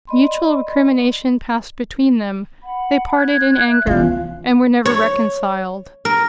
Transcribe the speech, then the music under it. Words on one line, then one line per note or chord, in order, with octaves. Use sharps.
Mutual recrimination passed between them: they parted in anger, and were never reconciled.
D5 D#5 B5 C6
F#5 B5
F#6 G#6
E5 F#6
E3 B3 C#4 F4 F5
C#5
A#4